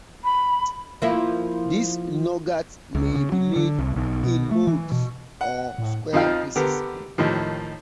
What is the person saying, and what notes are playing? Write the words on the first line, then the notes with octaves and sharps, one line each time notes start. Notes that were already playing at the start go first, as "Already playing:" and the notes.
This nougat may be made in molds, or square pieces.
B5
F3 A#3 E4
C#2
C#3
F#3
D3
C2
B1
B2
A3
E3
B2
F#5
A2
F2 F3 D#4 F4 F5 G5
D3 B3 G4 A#4
D#2 A2 D#3 F3